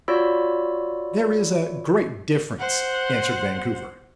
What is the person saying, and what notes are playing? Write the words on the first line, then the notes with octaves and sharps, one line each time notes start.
"There is a great difference," answered Vancouver.
F4 F#4 C#5 D5 B5 E6
C5 F#5